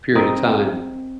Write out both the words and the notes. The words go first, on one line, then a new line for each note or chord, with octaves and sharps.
period of time.
C4 A#4 D#5